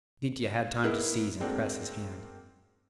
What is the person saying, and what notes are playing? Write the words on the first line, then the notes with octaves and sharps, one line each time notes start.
Mitya had time to seize and press his hand.
A#3 B3 D#4 E4 G#4 A#4
G#3 A#3 C4 D4 F#4 A4